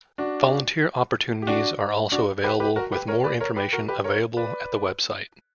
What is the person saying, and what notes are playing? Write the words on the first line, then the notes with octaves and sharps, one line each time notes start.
Volunteer opportunities are also available with more information available at the website.
D4 F#4
G4
D4 F#4
D4 F#4
G4 B4
G4 B4
F#4 A#4
G4 B4
A#4 C#5
B4 D5
A#4 C#5
G4 B4
F#4 A#4
G4 B4
A#4 C#5
B4 D5